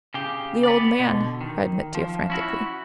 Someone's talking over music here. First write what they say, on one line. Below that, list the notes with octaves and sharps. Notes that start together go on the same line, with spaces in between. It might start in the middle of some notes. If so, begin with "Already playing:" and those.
"The old man!" cried Mitya frantically.
C#3 G4
B3 D5
B2 D3
D#3
F3
C#4 E4 F#4